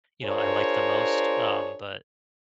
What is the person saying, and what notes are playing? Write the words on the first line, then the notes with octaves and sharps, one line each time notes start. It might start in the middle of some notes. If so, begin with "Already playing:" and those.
you know, I liked the most. Um, but
D4 F4 G#4 A#4 C5 C#5